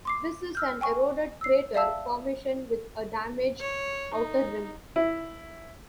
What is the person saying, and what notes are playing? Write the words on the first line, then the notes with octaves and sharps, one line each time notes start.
This is an eroded crater formation with a damaged outer rim.
C6 D6 C7
E6 F6 G6
G5 G#5 C#6
E6 C7
D5 E5 F5 A5 E6
C#5
D#4
E4